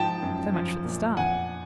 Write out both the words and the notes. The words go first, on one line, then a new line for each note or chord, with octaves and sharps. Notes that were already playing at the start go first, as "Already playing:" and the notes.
So much for the "Star".
Already playing: G#2 F3 G5 A5
F#2
F3
A#2
F2 F#5 G#5